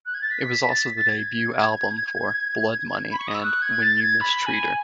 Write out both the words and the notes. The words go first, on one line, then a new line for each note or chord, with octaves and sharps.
It was also the debut album for "Blood Money" and "When You Mistreat Her".
F#6
G#6
A6
B6
A6
B6
A6
G#6
B5
C#6
D#6
E6
F#6
G#6
A6
G#6
B5
G#5